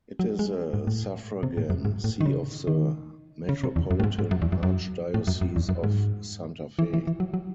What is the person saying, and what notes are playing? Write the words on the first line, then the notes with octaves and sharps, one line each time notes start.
It is a suffragan see of the Metropolitan Archdiocese of Santa Fe.
F#3
G#3
G#2
A2
C3
A2
F#2
G#2
A2
D#3
C#3
D#3
C#3
C3
E2
F#2
A2
G#2
G#2
F#2
E2
F#2
F#2
A2
F#2
F#2
E2
F#2
G#2
E3
E3
E3
F#3
F#3